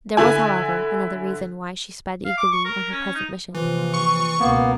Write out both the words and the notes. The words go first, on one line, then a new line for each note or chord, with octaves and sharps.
There was, however, another reason why she sped eagerly on her present mission.
D3 E4 G#5
F5
D6
C#6
A#4
C#4
D#4
A#1 C3 E3 F3
C#6
C#2 B2 A#3 B3